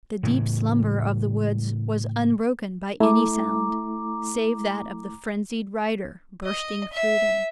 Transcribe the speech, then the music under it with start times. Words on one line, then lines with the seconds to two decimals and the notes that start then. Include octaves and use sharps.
The deep slumber of the woods was unbroken by any sound save that of the frenzied rider bursting through them.
0.23 A2 C#3 E3
3.00 A3 E4 A#5 D6
6.45 D#5
6.92 E5